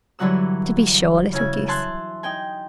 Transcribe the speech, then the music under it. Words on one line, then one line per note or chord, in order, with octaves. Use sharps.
'To be sure, little goose.
G2 D3 E3 F#3 F#5 E6
C#3 E4 G#5
E5 G#5 A5 C6 F#6
D#4 G5 G#5